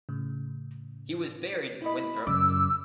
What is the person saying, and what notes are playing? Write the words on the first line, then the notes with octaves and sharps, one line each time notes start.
He was buried in Winthrop.
A2 C#3
E4 D#5 B5
F#2 C#3 D6 E6